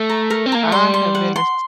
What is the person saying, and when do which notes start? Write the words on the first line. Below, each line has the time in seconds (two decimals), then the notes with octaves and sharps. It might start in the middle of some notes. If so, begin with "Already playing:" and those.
I have been this
Already playing: A3
0.10 A#5
0.30 A#4
0.46 C4
0.52 A#3 A#5
0.63 A3
0.72 G3 C6
0.94 C6
1.15 F#5
1.36 C6